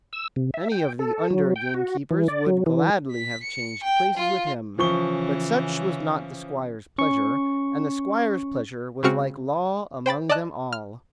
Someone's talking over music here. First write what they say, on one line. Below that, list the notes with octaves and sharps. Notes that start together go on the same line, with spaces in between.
Any of the under-gamekeepers would gladly have changed places with him; but such was not the squire's pleasure, and the squire's pleasure was like law among them all.
E6
C3
E5
G5
A4
F#3
G5
F#4
E3
D5
F#3
E3
B6
C#7
G5
F4
C#3 E3 F3 C#4 C#6 G7
C#4 C#6
C#3 G#3 C4 F#4 F6 C#7
C5 G5 B5 A6
D5 D#5 A5 F#6
F6